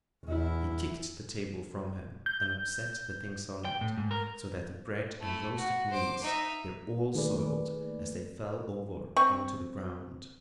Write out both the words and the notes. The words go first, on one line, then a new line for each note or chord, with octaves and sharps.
He kicked the table from him and upset the things on it, so that the bread and roasted meats were all soiled as they fell over on to the ground.
E2 E4
G6
G5
A2
G#2
A#4
A3 E4
F#4
C5 D6
D#4 E5
D#3 A3 A#3 G#4 B4 D5
C4 C#6